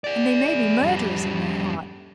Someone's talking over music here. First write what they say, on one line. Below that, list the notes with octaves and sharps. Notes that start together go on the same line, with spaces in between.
And they may be murderers in their hearts.
G#4 D5
F2 G3